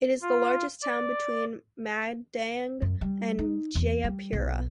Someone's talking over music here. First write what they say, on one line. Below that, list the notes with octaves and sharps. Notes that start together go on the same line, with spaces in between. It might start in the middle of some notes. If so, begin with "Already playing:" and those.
It is the largest town between Madang and Jayapura.
F4
D5
F#2
G3
D#4
E2
G3
B1